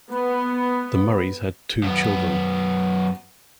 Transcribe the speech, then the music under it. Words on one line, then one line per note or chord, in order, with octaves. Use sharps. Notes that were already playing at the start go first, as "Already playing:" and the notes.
The Murrays had two children.
B3
F#2 B3